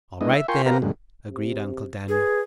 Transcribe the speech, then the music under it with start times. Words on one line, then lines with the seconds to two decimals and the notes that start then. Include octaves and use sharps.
"All right, then," agreed Uncle Daniel.
0.21 G#3 B3 D4 E4 D#5
0.34 E5
0.48 F4 A#4 G5 G#5 C6 C#6
0.66 C4 G4 A#4 B4 F5 A#5
0.82 F#2 A#2 D3 G3 G#3
1.30 C3
2.09 G#4 B4